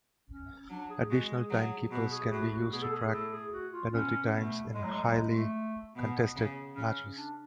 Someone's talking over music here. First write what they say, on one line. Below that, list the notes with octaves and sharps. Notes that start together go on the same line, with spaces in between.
Additional timekeepers can be used to track penalty times in highly contested matches.
C#4
F#3 D4
G#4
G#3 F#4
G#4
F#3 G#4
B2 F#4
G#4
A2 F#4
F#4
B2 G#4
A4
G#4
A2 A4
G#4
F#4
F4
B2 C#4
B2 A3
A2 G#3
F#3
G#3
F#3
G#3
A3
B2 B3
C#3
C#3 C#4
D4